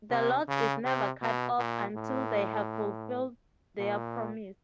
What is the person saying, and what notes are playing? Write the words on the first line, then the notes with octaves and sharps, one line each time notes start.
The lock is never cut off until they have fulfilled their promise.
C3
C#3
C3
B2
A#2
A2
A#2